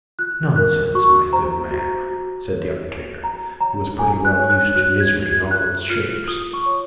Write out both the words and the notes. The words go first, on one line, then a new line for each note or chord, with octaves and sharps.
'Nonsense, my good man,' said the undertaker, who was pretty well used to misery in all its shapes.
F4 F#6
A#4 F#6
F#4 C#6
C5 A#5
F#4
F#4
C#5
F#4
F#4 A#5
C#5 A#5
F#4 G#5
F#6
C#5
F#6
F#4 F#6
G#6
F#4
G#6
F4 F#6
F4 F6
F4 D#6
C#6
C#5